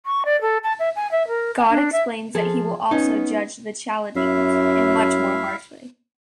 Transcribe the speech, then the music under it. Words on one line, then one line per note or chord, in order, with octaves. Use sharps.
God explains that He will also judge the Chaldeans, and much more harshly.
C#6
D5
A4
A5
E5
G#5
E5
A#4
G#5
D4
E5
F3 G#4 A4
B3 C#4 D#4
F#2 E4 E5 F5